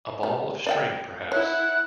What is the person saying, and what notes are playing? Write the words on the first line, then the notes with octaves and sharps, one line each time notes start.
A ball of string, perhaps.
G3
D5 E5 G5
E4 C#5 F#5